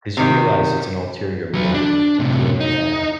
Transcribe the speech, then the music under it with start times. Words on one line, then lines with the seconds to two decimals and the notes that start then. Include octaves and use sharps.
'Cause you realize it's an ulterior motive. Yeah.
0.17 C3 D#3
1.54 F#3 B4
1.74 D4
2.19 A2 C3
2.60 D#4